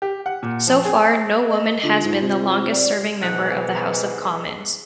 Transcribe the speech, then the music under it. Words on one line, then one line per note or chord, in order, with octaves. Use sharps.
So far, no woman has been the longest-serving member of the House of Commons.
G4
F#5
A#2
F3
G#4
D#5
D3 F4
G#2
C3
D5
G#2 B2 E3 C5 D#5 F#5